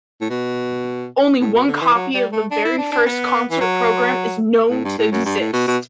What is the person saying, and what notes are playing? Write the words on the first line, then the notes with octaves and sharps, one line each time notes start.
Only one copy of the very first concert program is known to exist.
A2
B2
A2
B2
D3
E3
F#3
G3
A3
D4
E4
D4
D4
B3
E3
F#3
A2
G2
A2
F#2
G2
A2
B2
B2